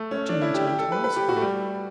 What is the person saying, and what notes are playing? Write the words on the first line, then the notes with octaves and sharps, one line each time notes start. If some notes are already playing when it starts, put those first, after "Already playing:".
"What do you intend to ask him?"
Already playing: A3
C#4
D4
E4
G4
G4
A4
B4
B4
G4
F#4
A3
G3